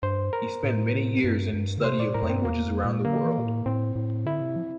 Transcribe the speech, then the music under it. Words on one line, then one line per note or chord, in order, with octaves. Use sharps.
He spent many years in study of languages around the world.
G2 C5
A#4
A2
G2
G2
D3
C3 C5
A#2 D5
A2 A#4
F2
G2 C4
E2 A#3
F2
A#2
D3 A#3
E3
A#2
A2
A2 C4
A2
D3 E4
C3
F3